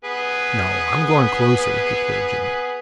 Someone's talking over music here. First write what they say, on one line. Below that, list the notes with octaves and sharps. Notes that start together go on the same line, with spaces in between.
"No, I'm going closer," declared Jimmie.
B3 G#4 B4